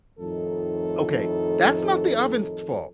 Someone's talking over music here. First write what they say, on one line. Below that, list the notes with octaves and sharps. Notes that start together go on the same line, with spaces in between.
okay, that's not the oven's fault.
F2 A2 D#3 D#4 A4